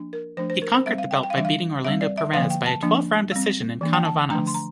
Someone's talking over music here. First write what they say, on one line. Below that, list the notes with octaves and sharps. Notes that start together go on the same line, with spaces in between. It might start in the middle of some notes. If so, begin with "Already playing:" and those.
He conquered the belt by beating Orlando Perez by a twelve-round decision in Canovanas.
Already playing: F3 A#3 D4
A#4
F3 A3 D4 C5
C5
A#4
C5
G3 C4 E5
F5
G5
G5
F5
E3 G3 D4 E5
F5
G3 C4 E5
D5
E5
D3 F3 A#3 F5
G5
A5
F3 A#3 D4
G3 C4
E3 A#3 D4
G5
A5
D3 F3 A3 D4 A#5
C6
A#5